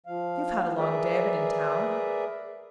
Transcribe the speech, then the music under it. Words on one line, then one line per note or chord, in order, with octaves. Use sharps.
You've had a long day of it in town.
F3 F5
G#4 A#4 B4 D5 E5